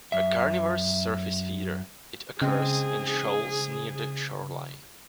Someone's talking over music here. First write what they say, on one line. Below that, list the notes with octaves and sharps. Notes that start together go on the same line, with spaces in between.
A carnivorous surface feeder, it occurs in shoals near the shoreline.
F#2 E5
C#3 G#3 C4 G#4